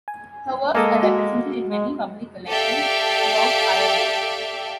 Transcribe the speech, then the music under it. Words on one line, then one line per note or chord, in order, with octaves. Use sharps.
Her works are represented in many public collections throughout Ireland.
G#5
G#3 A#3 A4 G#5 A#5 D#6
F#4
G#3
G4 A4 D5 E5 F5 G5